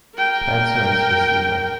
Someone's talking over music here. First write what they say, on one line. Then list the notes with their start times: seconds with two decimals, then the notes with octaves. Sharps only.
Spencer as receiver.
0.16 A#4 G5